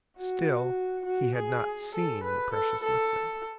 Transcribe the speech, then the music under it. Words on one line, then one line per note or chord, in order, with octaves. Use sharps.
Still he had not seen the precious liquid.
F#4
F#4
G#4
A4
B4
A4
A4